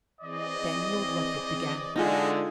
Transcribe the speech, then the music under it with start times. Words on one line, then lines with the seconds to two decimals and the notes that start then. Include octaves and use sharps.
Then Lord Rufford began.
0.20 E3 C4 G#4 D5 D#5
1.96 D3 G#3 D4 D#4 F4 F#4 G#4 D#5